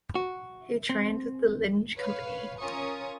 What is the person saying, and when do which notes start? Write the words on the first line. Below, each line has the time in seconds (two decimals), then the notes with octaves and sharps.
He trained with the Linge Company.
0.15 F#4
0.90 C4
1.95 B4 C#5 F5
2.60 C#4 F4 A#4 C#6 D#6